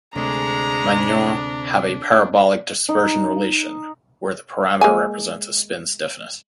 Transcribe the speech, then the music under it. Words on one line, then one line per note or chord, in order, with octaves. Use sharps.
Magnons have a parabolic dispersion relation: where the parameter represents a spin stiffness.
D2 C3 G#3 A3 D4 A#5
D#4
G#3 A#3 G#5